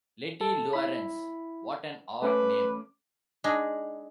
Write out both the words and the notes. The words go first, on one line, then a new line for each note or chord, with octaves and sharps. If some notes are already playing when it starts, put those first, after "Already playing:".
Lettie Laurence, — what an odd name!
A4
E4 B5
A3 C#4 B4 D6
G#3 D4 D#4